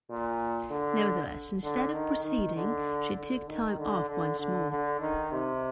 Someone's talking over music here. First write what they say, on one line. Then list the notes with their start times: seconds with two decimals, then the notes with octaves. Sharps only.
Nevertheless, instead of proceeding she took time off once more.
0.10 A#2
0.71 D3
1.63 D3
1.94 D#3
2.24 D#3
2.56 D3
3.17 D3
3.47 D#3
3.78 D3
4.09 D3
4.39 D3
4.70 D3
5.00 D#3
5.32 C3